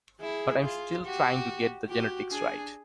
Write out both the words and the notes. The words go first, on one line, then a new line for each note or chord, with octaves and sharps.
But I'm still trying to get the genetics right.
E4 G#4
F4
F#4 G4
F#4 G4
D4 G#4